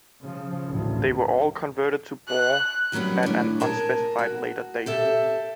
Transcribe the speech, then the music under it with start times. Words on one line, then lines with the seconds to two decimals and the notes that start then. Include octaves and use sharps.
They were all converted to bore at an unspecified later date.
0.21 C#3 F3
0.67 A1 D2
2.28 F#6
2.92 D#3 F#3 G3 B3 C#4
3.23 A2 D4
3.60 G#4 A#4 A5
4.19 F#4
4.86 G4 A4 E5